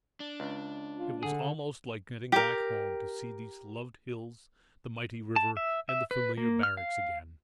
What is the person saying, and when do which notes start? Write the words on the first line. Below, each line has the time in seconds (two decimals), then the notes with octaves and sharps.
It was almost like getting back home, to see these loved hills, the mighty river, and the familiar barracks again.
0.20 D4
0.40 C#2
0.98 F4
1.23 D3 G#4
2.32 G4 A#4
5.36 A5
5.57 E5
5.89 E5
6.11 B4
6.38 A#3
6.63 F6
6.77 F5